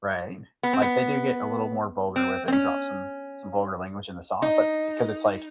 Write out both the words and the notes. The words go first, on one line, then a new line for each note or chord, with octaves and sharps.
right? Like they do get a little more vulgar with it and drop some some vulgar language in the song. But 'cause it's like
B3
C4
B3
C4
C4
C#4
D#4